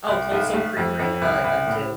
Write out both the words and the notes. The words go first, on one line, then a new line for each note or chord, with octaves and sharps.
Oh, Cold Stone Creamery? I like them too.
C2
B1
A3
F2
F2
C2
C2
A2